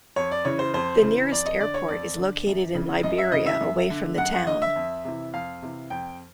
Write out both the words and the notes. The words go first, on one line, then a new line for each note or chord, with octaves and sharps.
The nearest airport is located in Liberia, away from the town.
F2 C#5
D5
C#3 E3 C#5
C5
F2 C5
C#3 E3
F2 D5
D#5
D3 D5
C#5
F2 D5
D3
F#2
C#3 E3
F#2 D#5
E5
C#3 E3 D#5
E5
F#2
D3
F#2 F#5
F#5
D3 D#5
E5
F2
C3 E3
F2 F5
C3 E3
F2 G5